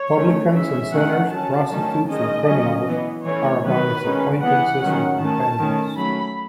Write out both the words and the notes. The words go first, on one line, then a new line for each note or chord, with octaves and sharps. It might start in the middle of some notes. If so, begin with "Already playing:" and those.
Publicans and sinners, prostitutes and criminals are among his acquaintances and companions.
Already playing: C#5
D#3 A3 C#4
E3 G#3 C#4 E5
D#3 A3 C#4 F#5
F#3 C#4 A5
D#3 F#3 A3 C#4 A5
D#3 G#3 C#4 D#5
F#3 A3 C#4
E3 B3
E3 A3 C#4 C#5
D#3 F#3 B3 B4
D#3 G#3 C#4
E3 B3 F#5
D#3 F#3 C#4
D#3 A3 C#4 A5
D#3 A3 C#4
F#3 A3 C#4 B5